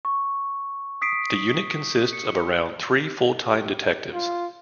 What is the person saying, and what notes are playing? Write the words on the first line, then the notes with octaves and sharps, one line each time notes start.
The unit consists of around three full time detectives.
C#6
D#6 B6 C7 D7
C#7
G4
F4